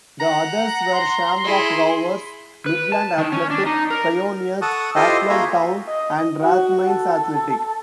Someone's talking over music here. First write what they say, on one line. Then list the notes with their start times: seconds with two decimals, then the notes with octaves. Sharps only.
The others were Shamrock Rovers, Midland Athletic, Pioneers, Athlone Town and Rathmines Athletic.
0.20 F#5 A#5
0.92 C6
1.44 E4 G#4
2.66 B4
2.92 A5
3.18 D#3
3.32 C#4
3.50 D4
3.66 D#4
3.90 A#4
4.62 A4 F#5 A5 C#6 D#6
4.96 E4 F4 G4 A4 C5 D#5
5.29 A#3 F4 F#4 G#4 E5 A#5
5.88 D#5
6.41 F#4
6.90 A4